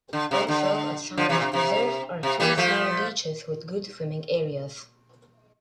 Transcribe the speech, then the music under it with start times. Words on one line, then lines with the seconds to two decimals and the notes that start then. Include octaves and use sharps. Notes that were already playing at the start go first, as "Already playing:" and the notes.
Also at Sanders Reserve are two small beaches with good swimming areas.
0.13 D3
0.31 C3
0.48 D3
1.17 D3 F3
1.29 C3 E3
1.38 A#2
1.41 C3
1.53 C3
2.23 C3
2.40 E3 G3
2.58 F3 A3